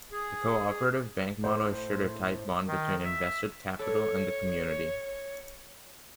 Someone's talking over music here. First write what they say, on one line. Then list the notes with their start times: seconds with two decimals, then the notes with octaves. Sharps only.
The cooperative bank model assured a tight bond between invested capital and the community.
0.12 G#4
1.44 A2 C5
2.67 D#3
3.04 E5
3.79 A4 B4 C#5 D5